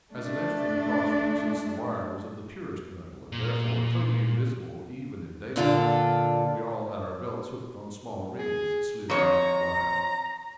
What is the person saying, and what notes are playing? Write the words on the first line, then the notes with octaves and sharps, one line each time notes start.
As an extra precaution, since the wire was of the purest metal, and therefore totally invisible, even in daylight, we all had our belts hooked on small rings that slid down the wire.
A3 D4
A#2
A#2 D3 D4 F4 G4 A4
G#4
F2 C#5 A#5